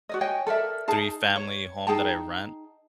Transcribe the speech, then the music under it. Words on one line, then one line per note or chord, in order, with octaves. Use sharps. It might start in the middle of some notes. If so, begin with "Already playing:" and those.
three-family home that I rent.
F#4 D5 D#5
C#5 D#5 G5 G#5
A4 A#4 D5 E5
D#4 G#4 A5
C#5
D#4 G#4 G5 A5